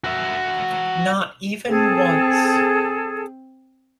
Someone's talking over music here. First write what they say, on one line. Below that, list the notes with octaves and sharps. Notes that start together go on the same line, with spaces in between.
Not even once.
F#4 E5
C4 G#4 A4